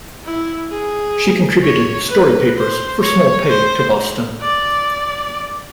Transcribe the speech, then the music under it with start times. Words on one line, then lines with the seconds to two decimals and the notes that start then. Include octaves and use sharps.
She contributed story papers for small pay to Boston.
0.24 E4
0.71 G#4
1.63 C#5
2.09 B4
2.57 C5
3.02 C#5
3.49 C5
4.41 D5